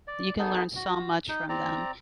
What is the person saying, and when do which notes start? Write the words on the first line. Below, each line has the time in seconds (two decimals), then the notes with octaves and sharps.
You can learn so much from them,
0.08 D5
0.39 B3 D#4 G#4 A4
0.76 F#4
1.29 D#4
1.49 C4 D5 A#5